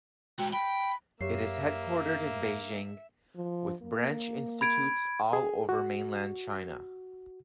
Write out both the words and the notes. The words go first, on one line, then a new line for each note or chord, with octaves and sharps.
It is headquartered in Beijing, with branch institutes all over mainland China.
G#3 F#4 G5
G5 B5
F#2 A#3 G4 C#5 E5 C7
F3
A#3
B5 G#6 D7
G#4
F#4